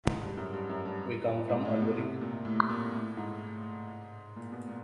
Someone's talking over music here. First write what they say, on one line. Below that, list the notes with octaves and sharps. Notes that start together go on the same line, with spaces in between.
We come from Alberic.
G#2
G2
F#2
G2
F#2
G2
G#2
A2
B2
C3
A#2
A2
A#2
A2
G#2
A#2
B2
A#2